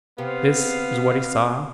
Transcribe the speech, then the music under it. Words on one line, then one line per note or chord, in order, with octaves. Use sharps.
This is what he saw.
C3 B3 F5